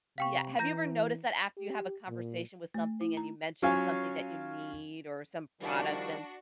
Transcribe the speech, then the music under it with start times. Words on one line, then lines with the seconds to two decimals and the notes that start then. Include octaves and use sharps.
yeah, have you ever noticed that after you have a conversation with something and you mention something that you need or some product and
0.18 C3 F5 G5 C#6
0.59 E3 A#5 G6 A#6
1.57 G4
2.08 A#2
2.74 A3
3.01 E4
3.17 A#5
3.62 F#3 C#4 F4 F5 G#5
5.61 D#3 F3 G3 D4 F#4